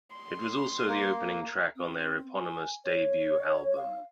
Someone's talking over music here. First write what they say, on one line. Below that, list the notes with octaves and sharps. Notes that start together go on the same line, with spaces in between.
It was also the opening track on their eponymous debut album.
C6
A#3
C4
G#5
C#5
F5